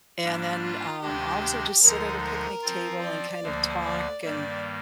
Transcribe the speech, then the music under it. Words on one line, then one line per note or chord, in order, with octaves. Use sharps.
and then, um, also just sit at a picnic table and kind of talk and
G#2 G3 A#3 D4
F4
D2 C3 D#3 G#3 D4 G4
D2 D3 F3 G#3 D#4 A#4
A#4
F3 C4 F4
D5
D2 D3 F3 A#3
D5
G2 D#3 G3 A#3 D5